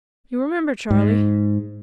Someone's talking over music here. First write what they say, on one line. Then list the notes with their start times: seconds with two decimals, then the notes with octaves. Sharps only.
You remember, Charley?'
0.91 G#2